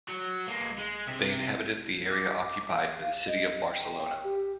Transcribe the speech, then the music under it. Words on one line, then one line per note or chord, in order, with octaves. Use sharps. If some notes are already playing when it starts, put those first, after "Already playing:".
They inhabited the area occupied by the city of Barcelona.
F#3
G#3 A#3
G#3
C3 E5
D6
F5
D#5
G5
G4